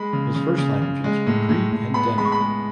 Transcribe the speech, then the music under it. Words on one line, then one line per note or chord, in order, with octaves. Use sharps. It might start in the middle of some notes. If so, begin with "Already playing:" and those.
His first languages were Cree and Dene.
Already playing: G#3 B5
C#3
C#3
C#3
C#3
G#3
A2
A2
A2
B3 B5
G#3 B5
C#6
B5
G#3